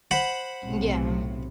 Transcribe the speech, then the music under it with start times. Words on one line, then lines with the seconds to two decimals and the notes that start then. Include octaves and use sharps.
M yeah,
0.11 C5 F#5 B5
0.64 B1 A2 C3